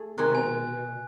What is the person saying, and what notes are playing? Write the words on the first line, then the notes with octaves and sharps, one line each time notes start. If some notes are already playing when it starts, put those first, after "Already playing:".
Yeah, yeah, yeah.
Already playing: A3 G#4
C3 D#3 G#3 F#6
G#5